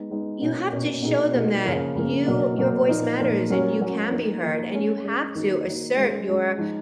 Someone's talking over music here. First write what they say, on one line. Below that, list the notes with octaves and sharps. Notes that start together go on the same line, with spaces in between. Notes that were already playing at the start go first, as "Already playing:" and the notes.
you have to show them that you your voice matters, and you can be heard, and you have to assert your
Already playing: G#3 B3 D#4
G#3 B3 D#4
B2 A#3 C#4
B2 A#3 C#4
B2 A#3 D#4 G#4
B2 A#3 D#4 G#4
C#3 F3 A#3
C#3 F3 A#3
B2 F#3 A#3
B2 F#3 A#3
A#2 F3 A#3 D#4
A#2 F3 A#3 D#4
F#3 A#3 C#4 F#4
F#3 A#3 C#4 F#4
F3 A#3 D#4
F3 A#3 D#4
G#3 C#4 G#4
G#3 C#4 G#4
D#3 A#3 D#4 F#4
D#3 A#3 D#4 F#4
G#3 C#4 F4 G#4
G#3 C#4 F4 G#4
F3 G#3 D#4